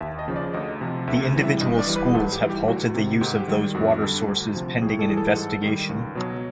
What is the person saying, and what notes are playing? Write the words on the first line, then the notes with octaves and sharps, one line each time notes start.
The individual schools have halted the use of those water sources pending an investigation.
D#2 E5
D#5
C#3 F3
D5
D2 D#5
C3 F3
D2 E5
C3 E3 G3
E5
G2 D#5
D5
E3 G3
B4
G#4
G#2 A4
G4
E3 G3
G4
D2 F#4
C3 D#3
G#2 G4
G4
D#3 G3
F2 F#4
D3 G3
D2
C3 F3
A2 G#4
A4
E3 G3 G#4 A4
G#2
D#3 G3
C#2
B2 F#3